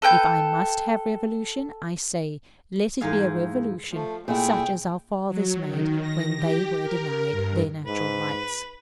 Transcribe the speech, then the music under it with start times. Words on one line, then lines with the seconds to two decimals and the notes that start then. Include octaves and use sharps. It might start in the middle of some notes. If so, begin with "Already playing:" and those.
If I must have revolution, I say let it be a revolution such as our fathers made when they were denied their natural rights.
0.02 A4 B4 G5 G6
3.01 E2 G#2 G#4 F5
3.91 F3 A3
4.28 A#2 A3 E4 G#4 G5
5.28 F#3
5.64 D#3
6.00 A#6
6.36 G4
6.82 A#4
7.31 G2
7.86 G#2 B4